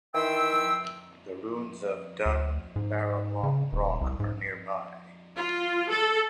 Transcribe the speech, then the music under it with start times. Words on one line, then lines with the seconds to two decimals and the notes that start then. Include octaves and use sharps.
The ruins of Dun Barraglom broch are nearby.
0.14 D#3 E3 E5 G5 C6 E6
2.26 D2
2.76 G#2
3.43 C#3
3.73 D#1
4.01 C2
4.20 G#2
5.36 F4
5.90 A4